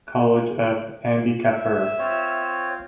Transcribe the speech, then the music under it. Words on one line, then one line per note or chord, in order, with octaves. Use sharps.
College of Ambikapur.
E5
C4 F4 C#5